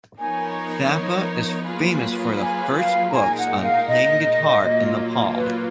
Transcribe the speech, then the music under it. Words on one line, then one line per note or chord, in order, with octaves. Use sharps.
Thapa is famous for the first books on playing guitar in Nepal.
F3 B3 D#4 A#4 C#5 G#5
F#3 A#3 F4 G#4 B4
G#5
F5
A#5
A#2 G#3 D#4 A#4 G#5
F#5
F5
D#5
A#2 F#3 A#3 F4
B4